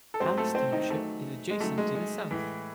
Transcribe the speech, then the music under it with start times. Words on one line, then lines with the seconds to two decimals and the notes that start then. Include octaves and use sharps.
Allis Township is adjacent to the south.
0.14 A4
0.20 G#2 F#3 C4 C5
0.37 A3 A4
0.55 C4 C5
0.72 D#3 D#4
0.90 E2 D#3 F#3 A3
1.50 G#3
1.60 F#2 D#3 F#3 A3
1.78 G#3
1.95 G#3
2.31 A2 E3